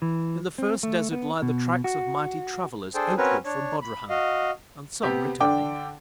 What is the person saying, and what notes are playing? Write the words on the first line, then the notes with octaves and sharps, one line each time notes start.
In the first desert lie the tracks of mighty travellers outward from Bodrahan, and some returning.
E3
C4
A3
B3
B2
F#4
D4 G#4 A4 C5 G5
C4 C#4 F#4 A#4 B4 C#5
D4 C#5
B5
F#4 D#5 F5
C3 B3 G4
D3 D4 G5 D6